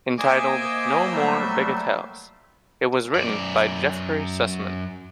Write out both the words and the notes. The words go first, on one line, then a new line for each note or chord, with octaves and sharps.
Entitled "No Mere Bagatelles", it was written by Jeffrey Sussman.
A#3 C5 D#5 E5 G#5 D6
F#3 G3 A3
F#2 D5